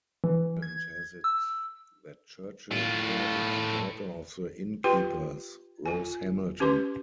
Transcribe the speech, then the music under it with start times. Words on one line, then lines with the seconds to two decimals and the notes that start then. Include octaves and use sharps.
Legend has it that Churchill courted the daughter of the inn keepers, Rose Hamilton.
0.24 E3
0.62 G#6
1.24 E6
2.71 A2 F4
4.84 F4 G4 B4 G5 C6
5.86 F4 G#5
6.60 C#4 G4 B4 C6 D6